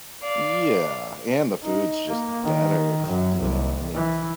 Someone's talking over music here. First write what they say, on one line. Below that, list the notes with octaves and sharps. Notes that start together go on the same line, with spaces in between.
Yeah, and the food's just better. F you know, I mean,
D5 F5
D#4
A#3
D#3
F#2
C2
E3